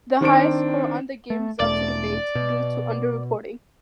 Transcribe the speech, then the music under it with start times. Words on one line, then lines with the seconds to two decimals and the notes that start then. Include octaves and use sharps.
The highest score on the game is up to debate due to under reporting.
0.21 D#3 C4 D4 D7
1.30 A3
1.60 E1 A3 D5
2.35 B2